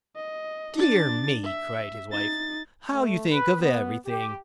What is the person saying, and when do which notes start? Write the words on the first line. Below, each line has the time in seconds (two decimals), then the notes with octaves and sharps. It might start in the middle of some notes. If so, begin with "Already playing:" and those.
'Dear me!' cried his wife, 'how you think of everything!
0.16 D#5
0.77 D4 A6
1.45 E5
2.10 D#4 A6
2.90 A3
3.31 B4
3.60 B3
4.06 G4